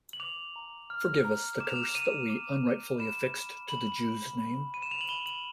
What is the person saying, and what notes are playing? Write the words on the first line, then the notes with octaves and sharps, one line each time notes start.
Forgive us the curse that we unrightfully affixed to the Jews' name.
F#7
D6 F7
A#5
F6
A#5
D6 E7
F7
E7
D6 D#7
D6
D6
B5 E7
B5
B5 F#7
B5
B5
B5 D#7
E7
F7
F#7
B5 G7
F#7